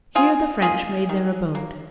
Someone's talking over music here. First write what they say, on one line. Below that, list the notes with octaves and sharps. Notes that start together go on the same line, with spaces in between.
Here the French made their abode.
F3 F4 G#4
A#3 F4 G#4
D#3
A#3